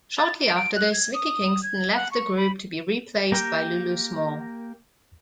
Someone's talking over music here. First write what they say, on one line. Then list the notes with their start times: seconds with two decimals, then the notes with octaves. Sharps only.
Shortly after this Vicky Kingston left the group, to be replaced by Lulu Small.
0.18 A6
0.43 D7
0.56 D7
0.76 F#6
0.93 G#6
1.14 D#6
1.63 G#6
1.95 F#5
2.11 C#6
2.37 B5
3.32 A#3 G4 A#4 G5